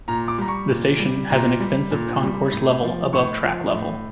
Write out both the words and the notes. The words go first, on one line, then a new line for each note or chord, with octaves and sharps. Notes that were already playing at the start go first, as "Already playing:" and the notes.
The station has an extensive concourse level above track level.
A#2 A#5
D6
G3 A#5
C#6
A#2
G3
A#2 A#5
G3
A#2
G3
A2
F3
A2 C#6
F3
A2